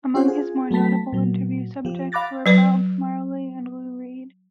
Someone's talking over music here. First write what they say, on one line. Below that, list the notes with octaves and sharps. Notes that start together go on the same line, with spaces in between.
Among his more notable interview subjects were Bob Marley and Lou Reed.
C#4 F4 G4 C5 F#5
F4 G#4
F#3 A3 B3 A5 B6
A#2 F#3
F3 G4
F5 B5 D6 F#6 A6 A#6
F#3 B4 D5